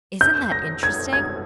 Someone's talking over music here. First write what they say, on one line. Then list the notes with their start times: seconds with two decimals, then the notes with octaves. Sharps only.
Isn't that interesting?
0.21 G6
0.52 A#6
0.83 G#6
1.13 G#6